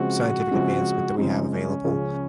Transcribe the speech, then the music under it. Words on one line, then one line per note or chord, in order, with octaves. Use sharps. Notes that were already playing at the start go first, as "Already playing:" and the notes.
scientific advancement that we have available
Already playing: C#3 F3 G#3 C4 F#4
C#3 F3 G#3 C4
C#3 F3 G#3 C4 D#4
C#4
C#2 C#3 F3